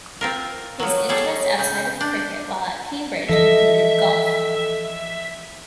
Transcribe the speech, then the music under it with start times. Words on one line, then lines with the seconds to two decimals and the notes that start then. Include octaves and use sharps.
His interests outside of cricket while at Cambridge included golf.
0.21 C4 F4 A#4
0.80 F3 F#3 C#5
1.09 G3 G#4 A4
1.59 C#3 G6
2.01 D4 G6
3.29 E3 F3 A4 D#5 E5